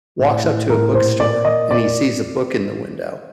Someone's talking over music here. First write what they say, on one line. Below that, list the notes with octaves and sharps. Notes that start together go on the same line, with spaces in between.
walks up to a bookstore, and he sees a book in the window,
A2
A2
A2 A#4
A#2 C5
A#2 D5
A#2 D#5
A#2 D5